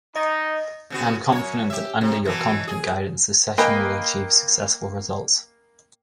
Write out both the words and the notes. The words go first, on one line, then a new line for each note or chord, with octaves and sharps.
I am confident that under your competent guidance this session will achieve successful results.
D#4 D#5 A#6
C#3 B3 F#4
F#2 C#5
G4 E5
C3
B2 E3 F#3
G#4
A#3 B4 D#5 G5 G#5